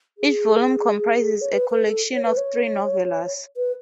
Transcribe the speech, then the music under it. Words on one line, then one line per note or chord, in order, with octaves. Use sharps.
Each volume comprises a collection of three novellas.
G#4
C#5
B4
B4
A4
C#5
B4
C#5
B4